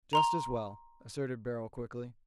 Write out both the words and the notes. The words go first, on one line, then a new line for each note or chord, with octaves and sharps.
"Just as well," asserted Beryl, quickly.
A#5 C6 F7